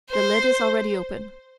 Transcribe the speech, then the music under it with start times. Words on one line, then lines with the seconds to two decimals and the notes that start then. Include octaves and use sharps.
The lid is already open.
0.11 C5